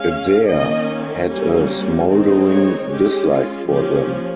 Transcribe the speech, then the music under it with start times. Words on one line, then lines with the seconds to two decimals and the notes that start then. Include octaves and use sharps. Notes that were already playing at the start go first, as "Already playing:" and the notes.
Adair had a smouldering dislike for them.
Already playing: G#3 C#4 F5
0.48 D#3 A#3 C#4 D#5
1.29 G3 A#3 C#4
2.09 D#3 G#3 C4 D#4
2.48 C#5
2.89 G#3 C#4 G4
3.29 F4
3.68 F3 A#3 C#4 G4